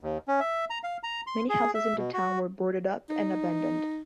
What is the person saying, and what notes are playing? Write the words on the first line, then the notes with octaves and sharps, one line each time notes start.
Many houses in the town were boarded up and abandoned.
D#2
C#4
E5
A#5
F5
A#5
C6
G#4
E5
B2
F#4
D#4